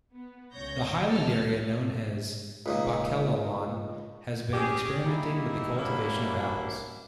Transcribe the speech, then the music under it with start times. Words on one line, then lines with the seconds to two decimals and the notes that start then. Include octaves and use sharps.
The highland area known as Ba'Kelalan has been experimenting with the cultivation of apples.
0.14 B3
0.53 C#2 C#5 G6 A#6
1.06 A4 A5 F6
2.66 C#2 A#2 D#3
4.54 C#4 G4 G#4
5.05 G3 A#3 D#4 E4
5.76 B2 G3 A#3 C#4 D4 E4